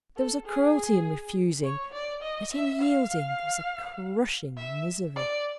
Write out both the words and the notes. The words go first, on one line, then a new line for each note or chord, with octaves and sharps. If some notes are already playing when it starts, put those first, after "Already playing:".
There was a cruelty in refusing, but in yielding there was a crushing misery.
A4
G#4
C#5
D5
D#5
E5
F5
E5
D5